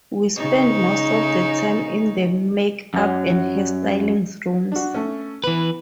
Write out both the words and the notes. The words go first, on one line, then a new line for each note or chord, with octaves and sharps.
"We spend most of the time in the make-up and hairstyling rooms".
C#3 D#4
F#2 F#3
D4 F#4
A3 C#4
E3 B3 B4